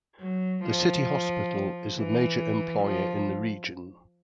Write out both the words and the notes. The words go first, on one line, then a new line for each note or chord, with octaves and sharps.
The city hospital is the major employer in the region.
F#3
F3
E3
F3